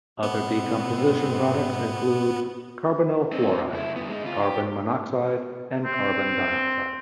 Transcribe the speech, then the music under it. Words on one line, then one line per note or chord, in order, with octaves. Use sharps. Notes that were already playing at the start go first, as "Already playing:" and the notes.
Other decomposition products include carbonyl fluoride, carbon monoxide and carbon dioxide.
G#2 B2 B3 C4
C4 D#4
C#2 E4
G2 B3
G#3 D#4
C#3 F4
G4
C4